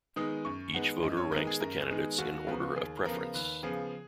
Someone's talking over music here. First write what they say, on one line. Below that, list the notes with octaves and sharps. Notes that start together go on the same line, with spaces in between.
Each voter ranks the candidates in order of preference.
D#3 G#3 B3 D#4 D#6
F#2 C#6
D#3 G#3 B3 D#4 F#5
F#2 D#5
C#5
D#3 G#3 B3 D#4 A#4
G#4
F#2 A#4
G#4
D#3 G#3 B3 D#4
G#4
D#2 F#4
C#3 F3 B3
D#2 G#4
C#3 F3 B3 A#4
D#2 B4
C#3 F3 B3 G#4